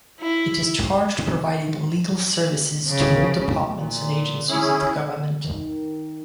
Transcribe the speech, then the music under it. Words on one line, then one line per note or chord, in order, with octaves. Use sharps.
It is charged providing legal services to all departments and agencies of the government.
E4
C#3
A#2
C#4 E4 G#4
D#3